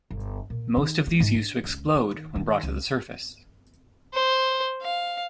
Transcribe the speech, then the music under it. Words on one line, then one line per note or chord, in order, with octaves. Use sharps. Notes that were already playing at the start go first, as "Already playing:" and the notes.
Most of these used to explode when brought to the surface.
G1
A#2
D#3
G#3
G#2
D4
C#2
D#3
D#3
C#2
C5
F5